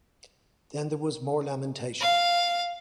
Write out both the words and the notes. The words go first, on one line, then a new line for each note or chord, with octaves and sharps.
Then there was more lamentation.
F5